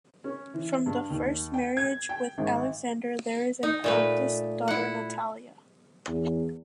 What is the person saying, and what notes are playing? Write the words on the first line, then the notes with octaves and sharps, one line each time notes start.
From the first marriage with Alexander there is an eldest daughter Natalia.
C#4
E3
G2
D#2
G5
G#6
G5
G#1
D#4
A#2 A3 B4
E4 F#5
E2